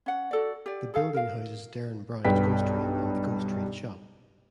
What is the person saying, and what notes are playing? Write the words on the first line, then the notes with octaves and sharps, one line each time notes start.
The building houses "Derren Brown's Ghost Train" and The Ghost Train Shop.
C#4 F#5
F#4 A4 D5
G4 D5
G#4 A4 F5
A#4 F5
B1 G2 B4 G5 B6